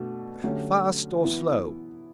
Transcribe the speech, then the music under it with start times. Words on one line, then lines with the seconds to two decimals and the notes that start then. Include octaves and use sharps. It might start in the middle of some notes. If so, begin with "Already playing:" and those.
"Fast or slow?"
Already playing: B2 A3 D4 F#4 A4
0.43 D3 F#3 A3 C#4 G4
1.23 E3 B3 E4